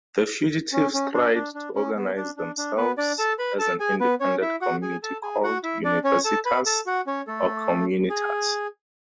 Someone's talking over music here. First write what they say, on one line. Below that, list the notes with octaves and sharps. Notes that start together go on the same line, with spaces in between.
The fugitives tried to organise themselves as an independent community called "universitas" or "communitas".
C#4
C#4
D4
D4
D4
C#4
B3
D4
D4
D4
B3 B4
D4 D5
A4 A5
B4 B5
A4 A5
G#4 G#5
B3 B4
C#4 C#5
E4 E5
F#4 F#5
G#4 G#5
A4 A5
G#4 G#5
F#4 F#5
E4 E5
D4 D5
C#4 C#5
A4 A5
B4 B5
A4 A5
F#4 F#5
C#4 C#5
A3 A4
G#4